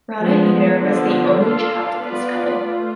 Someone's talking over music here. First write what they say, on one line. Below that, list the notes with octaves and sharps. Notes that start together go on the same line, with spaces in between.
Rana Hammir was the only child of this couple.
F3 G#3 B3
D3 F3 B3
D4 F4 A4 F5
B3 F4 B4 D5
A3 F4